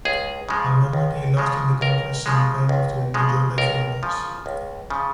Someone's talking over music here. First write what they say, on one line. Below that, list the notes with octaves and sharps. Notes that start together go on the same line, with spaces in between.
However they lost in the conference semifinals to the New York Islanders.
C#2 G#4
C#3 F3 G#3
C#2
C#3 F3 G#3
C#2 A#4
C#3 F3 G#3
C#2
C#3 F3 G#3
C#2 A#4
C#3 F3
C#2
C#3 F3